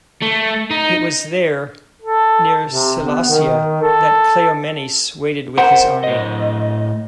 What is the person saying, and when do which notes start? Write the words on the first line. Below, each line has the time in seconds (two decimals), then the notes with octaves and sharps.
It was there, near Sellasia, that Cleomenes waited with his army.
0.22 A3
0.71 D#4
2.02 A4
2.66 C3
3.03 B3
3.29 D#3
3.83 A4
5.57 C4 A#4 C5 F#5
6.04 A2 D#5